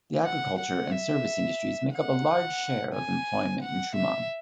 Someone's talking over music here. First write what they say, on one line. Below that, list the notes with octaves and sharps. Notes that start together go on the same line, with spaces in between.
The agriculture and service industries make up a large share of employment in Trumann.
F#5
F#5
E5
F#5
G#5
F#5
E5